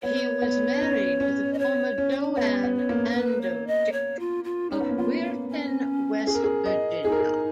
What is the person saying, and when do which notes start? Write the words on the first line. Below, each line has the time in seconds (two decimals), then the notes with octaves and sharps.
He was married to the former JoAnn Andochick of Weirton, West Virginia.
0.03 B3 C#5
0.42 B3
0.81 C#4
1.20 C#4
1.53 D#5
1.59 C#5
1.98 C#4
2.37 B3 C#5
2.63 B3
2.76 C#5
2.89 A#3
3.15 B4
3.41 C#5
3.67 D#5
3.92 C#5
4.19 F4
4.44 F4
4.71 C#4 D#4
4.80 B3
4.89 A#3
4.97 B3 F4
5.23 A#3
5.49 C#4
6.27 G#4
6.35 A#4
6.44 G#4
6.66 D#5
7.04 D#4 G#4
7.12 A#4
7.19 G#4